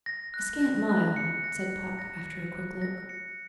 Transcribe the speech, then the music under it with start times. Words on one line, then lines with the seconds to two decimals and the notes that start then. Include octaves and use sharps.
'A scant mile,' said Puck after a quick look.
0.06 A#6
0.34 F#6
0.61 A#6
0.89 F#6
1.16 C#7
1.44 A#6
1.71 F#6
1.99 A#6
2.26 C#7
2.54 F#6
2.82 A#6
3.09 C#7